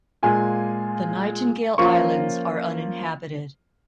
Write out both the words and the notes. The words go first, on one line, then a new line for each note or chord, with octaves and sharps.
The Nightingale Islands are uninhabited.
A#2 G#3 F4 G#5
F3 A#3 C#4 F4 C#6